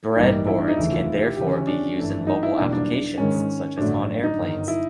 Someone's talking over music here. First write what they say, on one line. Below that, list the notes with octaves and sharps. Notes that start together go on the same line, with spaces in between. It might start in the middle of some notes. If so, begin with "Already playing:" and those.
Breadboards can therefore be used in mobile applications, such as on airplanes.
E4
A1 G2 E3 G3 A#3 D#4
E4
D4
D#4
F1 D#2 C#3 E3 A3 E4
F4
G4
D2 C#3 E3 G4
C#4
C#4
D4
G#1 G2 E3 A3
D#4
E4
F#1 E2 B2 G3 A#3 D4
D4
G#2 D#3 G#3 C#4
A1 G2 D3 F#3 A3 D4
D#4
G1 F#2 D#3
E4